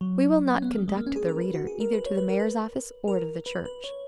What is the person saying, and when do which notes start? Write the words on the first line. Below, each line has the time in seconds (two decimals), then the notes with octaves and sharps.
We will not conduct the reader either to the mayor's office or to the church.
0.01 F#3
0.55 C#4
0.62 B3
0.70 A#3
0.78 G#3
0.88 G#3
0.97 A#3
1.06 C#4
1.16 G#4
1.29 A#4
1.41 B4
1.54 F#4
1.67 G#4
1.80 A#4
1.93 B4
2.06 C#5
2.17 B4
2.29 A#4
2.40 B4
3.08 A#4
3.46 B4
3.65 B4
3.84 C#5